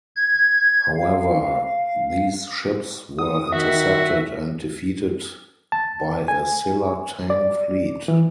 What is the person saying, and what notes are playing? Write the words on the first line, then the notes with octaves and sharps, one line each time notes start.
However, these ships were intercepted and defeated by a Silla-Tang fleet.
G#6
F5
D#6
D#3 F#4 E5
A5
G#5
D5
E3